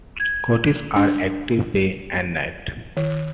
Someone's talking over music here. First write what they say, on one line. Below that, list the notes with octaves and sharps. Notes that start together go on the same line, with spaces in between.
Coatis are active day and night.
G#6
D4
D#3